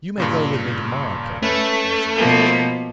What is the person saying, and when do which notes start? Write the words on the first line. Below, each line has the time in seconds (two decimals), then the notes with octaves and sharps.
"You may go with me to-morrow, Plato," answered the teacher.
0.18 G2 A#2 C#3
1.43 A3 C#4 B4
2.16 B2 F3 A#3